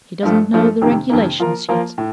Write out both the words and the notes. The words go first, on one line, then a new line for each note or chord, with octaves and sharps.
He doesn't know the regulations yet.
G2 F3 A3
G2 F3 A3
F2 C3 D#3 A#3
F2 C3 D#3 A#3
F3 A#3 F4 A#4
F3 A#3 F4 A#4
A2